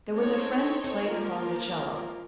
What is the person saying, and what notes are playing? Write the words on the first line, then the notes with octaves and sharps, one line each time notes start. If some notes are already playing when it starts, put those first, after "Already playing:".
There was a friend who played upon the 'cello.
C4 D#4 A4 C#5
F3 A#3 F4 A#4